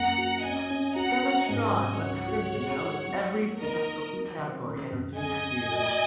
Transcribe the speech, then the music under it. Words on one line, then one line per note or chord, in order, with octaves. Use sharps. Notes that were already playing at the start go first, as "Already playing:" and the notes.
Feaster-Strong led the Crimson in almost every statistical category in her junior season.
Already playing: F#2 A#3 F#5 A#5
F#4
C#4 D#5 G#5
C#4
F#4 F#5 A#5
C#4
G#2 D#5 G#5
F#3
C#2 C#5 F#5
F#4
G#3
D#4
F#3
A#3
D#4 A#4 D#5
D#4
F#3
D#3
C#3
F#2
C#3 D#5 G#5
C#3
F#4